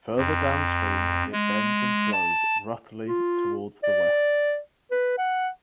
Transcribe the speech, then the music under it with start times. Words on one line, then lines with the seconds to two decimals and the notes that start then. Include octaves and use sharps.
Further downstream it bends and flows roughly towards the west.
0.17 F2
1.33 G#3
2.12 A5
3.06 F4
3.83 D5
4.91 B4
5.18 F#5